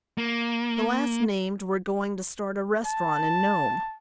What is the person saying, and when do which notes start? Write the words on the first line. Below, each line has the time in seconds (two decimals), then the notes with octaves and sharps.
The last named were going to start a restaurant in Nome.
0.18 A#3
2.86 A5